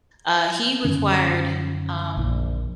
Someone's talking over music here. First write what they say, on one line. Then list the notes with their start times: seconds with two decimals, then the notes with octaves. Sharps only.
uh, he required, um,
0.85 F#2 D3 D#3 C#4
2.17 A#1